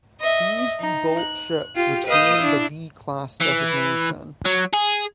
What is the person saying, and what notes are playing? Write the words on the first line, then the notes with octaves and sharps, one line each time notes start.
These rebuilt ships retained the V-class designation.
D#5 E5
D#4
F#6
F4 G4
B4 D#5 F5 D#6 E6 G6
D4 E4
E3
F#3
G#4